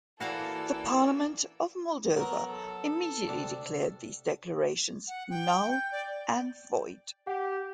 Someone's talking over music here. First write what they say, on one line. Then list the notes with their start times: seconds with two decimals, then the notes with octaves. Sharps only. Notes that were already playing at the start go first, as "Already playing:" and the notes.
The parliament of Moldova immediately declared these declarations null and void.
0.20 E3 A#3 F#4 A4 D5 F5 F#5 E6
2.16 F#3 B3 A#4 A#5
2.48 A4
3.28 D2 C3 D4
5.08 F#5
5.30 G5
5.71 G6
5.92 D5
7.27 G4 F#5